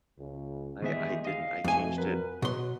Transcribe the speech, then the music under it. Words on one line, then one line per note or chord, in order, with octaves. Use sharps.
I I didn't, I changed it
C#2
D#3 E3 G3 G#3 B3 E5
D#5 F5
F2 B2 A3 G#5
B2 F#3 A#4 B4
B2 F#3 C6